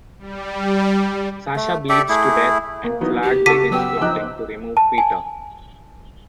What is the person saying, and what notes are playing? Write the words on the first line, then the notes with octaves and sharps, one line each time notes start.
Sasha bleeds to death and Flagg begins plotting to remove Peter.
G3
A3
G4 A4 D5 E5
A3 E4 G#4
A#3
E3 F#3 B3 D#4
G4
C#3 F#4 A4 D6 B6 D#7
F#3 B3 G4 E6
F3 D#4 G5 D6 F#6
A5
G#5